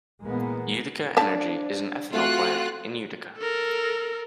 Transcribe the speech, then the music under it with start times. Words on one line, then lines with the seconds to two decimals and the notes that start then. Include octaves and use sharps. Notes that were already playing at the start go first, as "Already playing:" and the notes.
Utica Energy is an ethanol plant in Utica.
0.22 A#2 E3 G#3 A#3 B3
1.17 D4 C5 D5 E5 F5 A5
2.13 A3 C4 F4 F#4 A4 F#6
3.37 A4 A#4